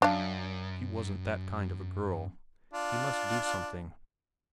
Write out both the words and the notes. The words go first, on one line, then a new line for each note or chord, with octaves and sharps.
She wasn't that kind of a girl. He must do something.
F#2 D4 F5
D4 F4